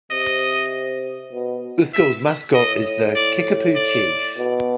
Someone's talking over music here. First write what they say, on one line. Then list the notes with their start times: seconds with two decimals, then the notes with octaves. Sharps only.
The school's mascot is the "Kickapoo Chief".
0.11 C3 D#5
1.32 B2
1.94 E5
2.55 A2 D#5
3.15 D5
3.76 D5
4.37 B2